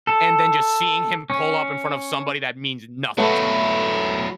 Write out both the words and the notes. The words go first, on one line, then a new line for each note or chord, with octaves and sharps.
and then just seeing him pull up in front of somebody that means nothing to him.
A4
C#4
F#3 A3 B3 E4